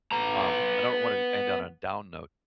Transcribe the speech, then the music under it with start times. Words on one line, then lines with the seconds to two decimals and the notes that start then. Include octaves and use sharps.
Um, I don't wanna end on a down note,
0.12 B3 A#5